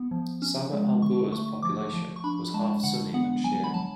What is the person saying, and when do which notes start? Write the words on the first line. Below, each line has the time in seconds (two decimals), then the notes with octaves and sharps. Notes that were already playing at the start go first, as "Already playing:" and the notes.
Saba Al Boor's population was half Sunni and Shia.
Already playing: B3
0.11 F3
0.42 C#4
0.72 G#3
1.02 D3 C#6
1.32 A3 C#6
1.62 F3 D6
1.93 F3
2.16 C#6
2.24 D4 B5
2.54 G#3 A5
2.83 D3 F#5
3.14 B3 F#5
3.44 F#3 G#5
3.64 B5
3.74 F#3 A5